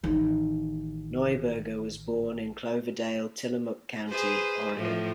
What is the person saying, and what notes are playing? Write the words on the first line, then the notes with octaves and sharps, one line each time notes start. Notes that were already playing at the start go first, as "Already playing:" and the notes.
Neuberger was born in Cloverdale, Tillamook County, Oregon.
A1 D#3
G#4 B4 C5
A2 F3